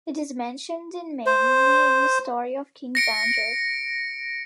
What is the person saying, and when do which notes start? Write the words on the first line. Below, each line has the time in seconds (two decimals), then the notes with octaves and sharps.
It is mentioned in mainly in the Story of King Banjar.
1.26 C5
2.95 A#6 C#7 D7